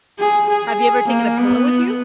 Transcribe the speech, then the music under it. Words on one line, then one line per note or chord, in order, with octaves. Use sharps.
Have you ever taken a pillow with you?
G#4
G#4
A#3
B3